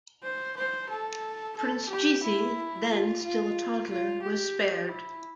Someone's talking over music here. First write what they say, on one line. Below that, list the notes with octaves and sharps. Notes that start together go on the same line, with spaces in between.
Prince Jizi, then still a toddler, was spared.
C5
C5
A4
A4
G4
E4
F4
F4
F4
G4
E4